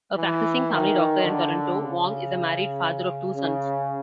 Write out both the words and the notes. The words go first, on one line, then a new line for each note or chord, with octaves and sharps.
A practicing family doctor in Toronto, Wong is a married father of two sons.
E3
D#3
D3
C#3
C#3